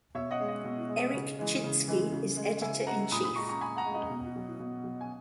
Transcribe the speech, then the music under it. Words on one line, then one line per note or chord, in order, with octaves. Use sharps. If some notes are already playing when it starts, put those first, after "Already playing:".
Eric Chinski is editor-in-chief.
B2 C#5 E5
D#5 F#5
G#3
D#5
B2
G#3
C#3
E3 G#3
C#3
E3 G#3
C#3
G#3
C#3 E5 G#5
G#3 F#5 A#5
A#2 B5 D#6
B5 D#6
G#3 A#5 C#6
A#5 C#6
A#2 G#5 B5
F#5 A#5
G#3
D#5 F#5
B2
F#3
B2
F#3
G#5